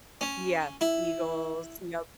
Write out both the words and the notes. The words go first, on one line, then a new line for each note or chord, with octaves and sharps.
Yeah, Eagles, yup.
C#4
E4